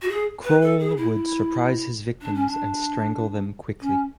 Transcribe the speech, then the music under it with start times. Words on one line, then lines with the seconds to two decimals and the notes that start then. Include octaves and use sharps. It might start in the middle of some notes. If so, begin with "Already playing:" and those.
Kroll would surprise his victims and strangle them quickly.
0.02 F#4
0.09 G#4
0.44 B4
0.62 A4
0.80 G#4
0.97 E4
2.21 D4
2.34 C#4
2.47 D4
3.80 C#4